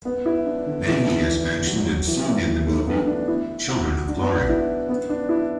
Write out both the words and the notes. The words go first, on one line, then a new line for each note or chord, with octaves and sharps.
Nagy is mentioned and seen in the movie "Children of Glory".
B3
E4
D4
D3
E3
E3
F#3
E3
E3
A3
B3
D4
E4
F#4
D4
B3
D4
E4
B3
D4
E4